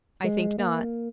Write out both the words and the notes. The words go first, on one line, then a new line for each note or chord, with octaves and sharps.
"I think not."
G#3
A#3